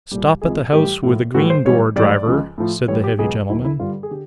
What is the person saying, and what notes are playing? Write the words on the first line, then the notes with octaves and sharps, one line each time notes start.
'Stop at the house with a green door, driver,' said the heavy gentleman.
C2 A#2 G3 G4
C#2 C3 F3 G#4
A2 E3 G3 G4
A2 F3
A2 E3 G3 F#4
C5
G#2 E3 G3 C#5
A2 E3 G3 D5
C#2 C#3 F3
A2 F3
A2 E3 G3 C#5
G4
C#2 B2 F#3 G#4
D#2 D#3 F#3 E4
E4
G2 D3 G3 F4
G#4
D3 G4